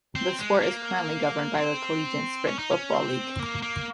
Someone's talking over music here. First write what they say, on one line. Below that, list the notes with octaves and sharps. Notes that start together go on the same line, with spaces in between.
The sport is currently governed by the Collegiate Sprint Football League.
C4
G#3
A#3
C4
C#4
D#4
C#4
C4
A#3
A#3